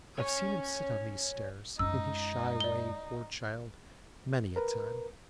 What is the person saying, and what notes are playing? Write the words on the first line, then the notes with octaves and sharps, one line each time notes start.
I've seen him sit on these stairs, in his shy way, poor child, many a time.
C#5 G#5
F#2 G#3 D#4 E6
D5 G7
A#4 B4